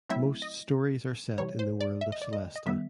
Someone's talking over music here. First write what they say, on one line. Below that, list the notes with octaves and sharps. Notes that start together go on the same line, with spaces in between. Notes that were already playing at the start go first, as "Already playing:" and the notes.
Most stories are set in the world of Celesta.
F#3 A3 C4 E4 E5
D#5
C3 E3 G3 C#5
C5
D5
E5
D#5
D5
D#5
D#5
D#3 G3 B3 E5